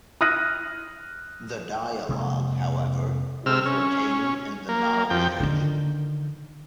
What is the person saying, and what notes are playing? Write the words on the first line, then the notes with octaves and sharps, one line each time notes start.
The dialogue, however, was retained in the novelization.
D#6 F6 F#6 A#6 D#7
F1 C3 G#3 A#3
C3 E6 F6
C#4
A#3
F2 G5
D3 D#3